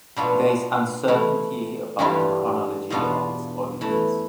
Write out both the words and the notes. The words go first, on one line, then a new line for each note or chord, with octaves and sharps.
There is uncertainty about the chronology of its origins.
B2 B3 D4 F4
E3 A3 E4
G2 E3 G3 D4 F4
E2 B2 B3 D4 F4
E3 A3 E4